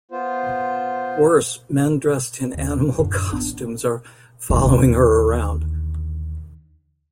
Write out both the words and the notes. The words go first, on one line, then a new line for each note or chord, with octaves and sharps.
Worse, men dressed in animal costumes are following her around.
B3 F4 C5
D#2 D3
G2
F#2 A2 D3 D4
A1 B3 D4
D#2 D3